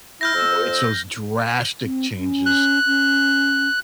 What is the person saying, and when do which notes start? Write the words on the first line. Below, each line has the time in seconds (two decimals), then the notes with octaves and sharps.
you know, it's those drastic changes
0.21 E4 F6 G6 A#6
0.35 F2 C5 E6
1.82 C4
2.18 C#4
2.46 F#6
2.87 C#4